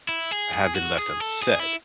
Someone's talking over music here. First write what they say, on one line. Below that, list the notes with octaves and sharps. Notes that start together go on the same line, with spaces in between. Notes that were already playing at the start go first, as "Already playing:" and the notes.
have been left unsaid.
E4
G#4
G#4
F#4
G#4
A4
G#4
E4